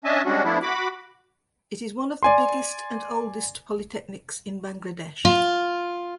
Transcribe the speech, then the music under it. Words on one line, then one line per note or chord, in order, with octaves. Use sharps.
It is one of the biggest and oldest polytechnics in Bangladesh.
C#4 D4 D#5 E5 G#5 A5
G3 G#3 C#4 D4 F#4
F3 A3 B3 D4 E4
F#4 B5 D6
D5 G#5 C6
F4